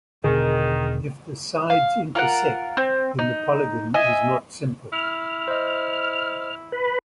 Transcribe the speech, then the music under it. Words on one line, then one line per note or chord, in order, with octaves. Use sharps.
If the sides intersect then the polygon is not simple.
E1 B2 D3 D#3 G#4
F5
F4 A#4 F#5
C4
D#4
D#5 E5 G#5
E4 F6
C5 D#5
B4 B5